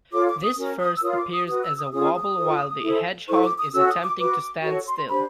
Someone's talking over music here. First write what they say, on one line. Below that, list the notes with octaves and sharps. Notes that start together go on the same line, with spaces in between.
This first appears as a wobble while the hedgehog is attempting to stand still.
F4 A4 C#5 D6
D6
D#6
C#4 F#4 A#4
D#6
E6
F4 A#4 C#5 D#6
D6
D#6
F#4 B4 D#6
E6
D#6
C#4 F4 G#4 C#5 D#6
D#6
F4 A4 C5
E4 A4 C5
E4 A4 C5 C#6
D6
D#6
C#4 F#4 A4 C#5 E6
D#6
D6
F#4 B4 D6
F#4 A4 C#5 C#6
C6
D4 G4 C5 B5